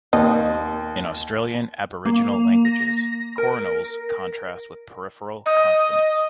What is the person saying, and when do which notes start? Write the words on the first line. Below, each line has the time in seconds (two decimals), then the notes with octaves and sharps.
In Australian Aboriginal languages, coronals contrast with peripheral consonants.
0.13 D#2 D#5
2.05 A#3
2.65 A#6
3.38 A#4
5.46 D#5